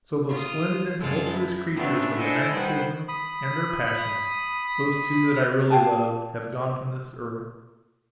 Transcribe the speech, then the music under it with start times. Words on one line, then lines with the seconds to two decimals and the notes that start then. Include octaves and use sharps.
So those splendid and tumultuous creatures with their magnetism and their passions--those two that I really loved--have gone from this earth.
0.29 F4 D#6
1.00 F#2 G#3 F4 A5
1.32 E4
1.75 C#3 A3 B3 C4 D4
2.19 D4 E4 A4 C5 D#5 G#5
2.51 D#3 G3 B4 C5 F#5
3.08 B5 D#6
5.70 F5 G5 A5